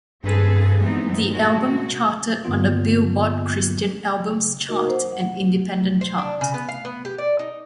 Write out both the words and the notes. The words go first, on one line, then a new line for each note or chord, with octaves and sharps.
The album charted on the "Billboard" Christian Albums chart and Independent chart.
C4 G#4 A4 B4
E3 G#3 B3 C4 D#4
A#2 G#3 A#3 F#4
G2 D3 A#3 B3 F4
A#3 D#4 F#4 A#4 D#5
C5 F#5
F#5
C5
D4
C#3
B3
F5
B3
G4
D5
D#4